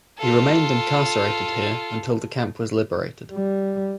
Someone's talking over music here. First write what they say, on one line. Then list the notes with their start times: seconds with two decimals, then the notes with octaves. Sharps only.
He remained incarcerated here until the camp was liberated.
0.18 F4 A4
3.33 G3